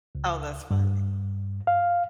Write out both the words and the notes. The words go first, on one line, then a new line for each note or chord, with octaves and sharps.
Oh, that's funny.
C#2
G2
F5